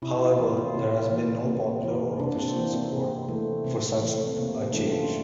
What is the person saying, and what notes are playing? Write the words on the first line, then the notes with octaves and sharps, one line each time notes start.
However, there has been no popular or official support for such a change.
C3 E4
F4
E3 A#3 G4
F4
C3
E3 A#3
C3
E3 A#3
C3 D4
C4
E3 A#3
C4
C3
E3 A3
C3
E3 A3
C4
C3 A#3
C4
E3 A3 D4
F4